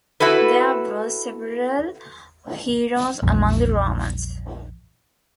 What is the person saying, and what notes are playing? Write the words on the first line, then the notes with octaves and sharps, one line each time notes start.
There were several heroes among the Romans.
E4 F#4 A4 B4
A#1 E2 G2